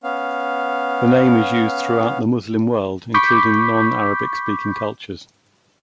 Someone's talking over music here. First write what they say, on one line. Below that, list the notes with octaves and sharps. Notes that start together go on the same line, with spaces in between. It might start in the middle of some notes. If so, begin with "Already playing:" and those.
The name is used throughout the Muslim world including non-Arabic speaking cultures.
B3 C#4 F5
B5 C#6 D6 G6 B6